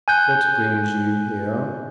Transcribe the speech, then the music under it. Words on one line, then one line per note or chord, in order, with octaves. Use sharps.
"What brings you here?"
G#5 F#6 G6